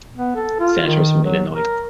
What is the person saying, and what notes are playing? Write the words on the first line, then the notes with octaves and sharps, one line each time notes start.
Senators from Illinois.
B3
A4
F4
D#3
F#3
A#4